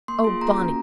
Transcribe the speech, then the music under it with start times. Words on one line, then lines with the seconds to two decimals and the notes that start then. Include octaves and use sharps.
Oh, Bonnie!
0.08 A#3 C6
0.24 F4 G#4
0.41 A#3 A#5
0.58 C#4 F#4